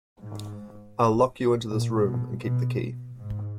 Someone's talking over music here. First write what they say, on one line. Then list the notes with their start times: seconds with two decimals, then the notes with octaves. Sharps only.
I’ll lock you into this room and keep the key.
0.22 G#2
1.69 A#2
2.05 B2
2.43 B2
3.17 G#2